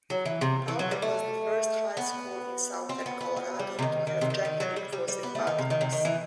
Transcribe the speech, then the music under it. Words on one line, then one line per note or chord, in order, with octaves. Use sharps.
Palmer was the first high school in Southern Colorado to have gender-inclusive bathrooms.
F#3
E3
C3
E3
F#3
G3
A3
B3
C4
B3
B3
B3
G3
C3
D#3
D#3
C3
D#3
D#3
F#3
G3
G3
G3
B3
A3
D#3
C3
D#3
C3
D#3
E3